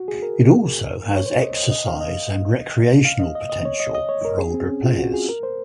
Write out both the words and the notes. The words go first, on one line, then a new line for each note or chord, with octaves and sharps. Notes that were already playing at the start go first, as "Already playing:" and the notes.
It also has exercise and recreational potential for older players.
Already playing: F#4
G#4
A#4
C#5
C5
D#5
D#5
D#5
F5
D#5
F5
D#5
D#5
D#5
C#5
D#5
D#5
C#5
A#4
G#4
C4
C#4
F4
F#4
G#4
A#4
C5